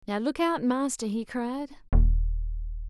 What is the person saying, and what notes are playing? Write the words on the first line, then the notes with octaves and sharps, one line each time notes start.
"Now, look out, master!" he cried.
D#1